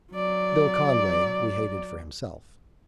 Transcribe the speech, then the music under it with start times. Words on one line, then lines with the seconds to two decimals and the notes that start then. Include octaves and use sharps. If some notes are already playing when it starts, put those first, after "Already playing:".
Bill Conway we hated for himself.
0.13 F#3 D5